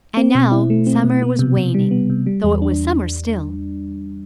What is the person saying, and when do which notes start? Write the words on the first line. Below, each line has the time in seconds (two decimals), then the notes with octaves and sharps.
And now summer was waning, though it was summer still.
0.17 C4
0.35 B2
0.52 E4
0.70 A3
0.87 C4
1.04 B2
1.22 B3
1.39 C3
1.57 C3
1.75 G3
1.91 B3
2.10 C3
2.26 G3
2.44 E2
2.62 D4